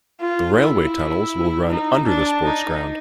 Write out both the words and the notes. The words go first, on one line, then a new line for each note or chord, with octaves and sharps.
The railway tunnels will run under the sports ground.
F4
E4
D#4
D4
D#4